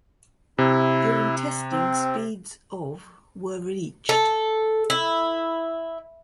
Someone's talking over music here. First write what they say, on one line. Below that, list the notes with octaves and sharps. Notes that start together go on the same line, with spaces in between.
During testing speeds of were reached.
C3 E4
C4
A4
E4